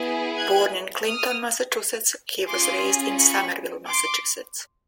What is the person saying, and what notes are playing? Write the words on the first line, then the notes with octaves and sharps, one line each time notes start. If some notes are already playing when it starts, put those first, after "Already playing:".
Born in Clinton, Massachusetts, he was raised in Somerville, Massachusetts.
Already playing: B3 E4 G#4
F#6 G#6
D#6 F6
C#4 F4 G#4 C6 D6
B5 C#6
C6 D6